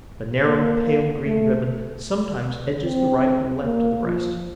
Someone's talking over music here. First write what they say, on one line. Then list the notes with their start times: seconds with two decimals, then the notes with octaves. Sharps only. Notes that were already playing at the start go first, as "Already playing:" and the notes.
A narrow pale-green ribbon sometimes edges the right and left of the breast.
0.46 A#3
1.25 A3
2.84 C4
3.63 A#3
4.04 F3